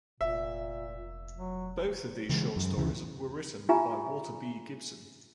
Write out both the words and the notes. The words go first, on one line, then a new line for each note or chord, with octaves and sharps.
Both of these short stories were written by Walter B. Gibson.
F1 A#2 E5
F#3
C#3 E3 G3 G#3
F#2
D2 C#3 E3
D#4 F4 G4 E5 G#5 A#5